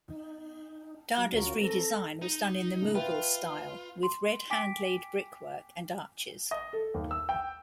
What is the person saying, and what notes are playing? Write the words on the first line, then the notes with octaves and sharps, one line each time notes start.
Dada's redesign was done in the Mughal style, with red, hand-laid brickwork and arches.
D#4
F#3
D2 C#4 F4 F#4 A#4
C4 A4 A#5
D#4
A2 C#3
F4 B4 E5 G5
C6
G5 G#5 D6 B6 D7
D#5
A4
D#2
E6
G5